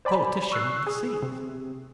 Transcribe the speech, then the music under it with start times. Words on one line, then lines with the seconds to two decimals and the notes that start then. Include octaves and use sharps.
A politician of the seas.
0.05 C5 D5 G#5 B5
0.52 C#6 E6 F#6 C7
0.87 G#4
1.22 C3